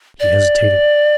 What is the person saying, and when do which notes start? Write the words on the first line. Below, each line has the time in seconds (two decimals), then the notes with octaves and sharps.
He hesitated.
0.20 D5